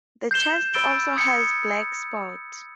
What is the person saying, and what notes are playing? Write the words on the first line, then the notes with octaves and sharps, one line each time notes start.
The chest also has black spots.
G6 C7 E7 G7
B5 E6 A6 D7 G7
D#6 G#6 C#7